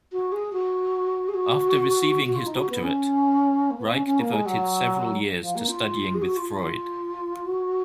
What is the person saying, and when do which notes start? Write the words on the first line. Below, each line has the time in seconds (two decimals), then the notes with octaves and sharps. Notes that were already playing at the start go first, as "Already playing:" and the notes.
After receiving his doctorate, Reik devoted several years to studying with Freud.
0.12 F#4
0.32 G#4
0.53 F#4
1.29 G#4
1.34 F#4
2.26 F#4
2.35 F4
2.46 D#4
2.55 F#4
2.70 B3
2.83 C#4
3.71 A#3
3.78 B3
3.92 C#4
4.05 C#4
4.19 A#3
4.33 G#3
4.46 F#3
5.41 F3
5.55 A#3
5.68 F4
6.14 G#4
6.22 F#4
6.37 F4
6.49 F4
7.45 F#4